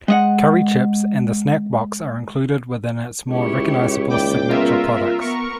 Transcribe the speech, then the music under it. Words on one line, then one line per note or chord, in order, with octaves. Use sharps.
Curry Chips and The Snack Box are included within its more recognisable signature products.
G#3 D#5 F#5
C#2 E4 G4 C#5
D#2 E4 D5 G5 D6
B2 C#4 F4 A#4 E5
B3 A#4 C#6